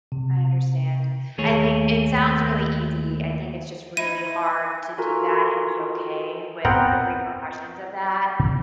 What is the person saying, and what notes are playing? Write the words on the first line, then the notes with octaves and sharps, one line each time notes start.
I understand, I think it sounds really easy, I think it's just really hard to do that and be okay with the repercussions of that,
C3
D#2 A3 G#4 C#5
D#4 E4 D#7
F4 F#4 A4 A#4 G#5 A#5
B3 C4 A#4 F#5 G5 A#5